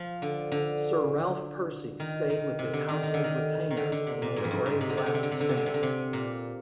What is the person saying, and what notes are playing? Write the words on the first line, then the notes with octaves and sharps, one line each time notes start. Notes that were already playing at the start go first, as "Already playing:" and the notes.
Sir Ralph Percy stayed with his household retainers and made a brave last stand.
Already playing: F3
D3
D3
D#3
D#3
C3
D3
D#3
D#3
D3
D#3
D#3
D3
D3
C3
A#2
G#2
F2
G2
G#2
C3
D3
C3
D3
C3
D3
C3
D3
C3
D3
C3
D3
C3
A#2